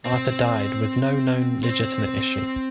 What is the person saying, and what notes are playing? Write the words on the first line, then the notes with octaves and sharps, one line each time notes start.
Arthur died with no known legitimate issue.
C4
C4